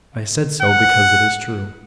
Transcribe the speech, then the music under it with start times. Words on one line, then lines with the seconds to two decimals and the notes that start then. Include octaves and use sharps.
"I said so, because it is true."
0.62 F#5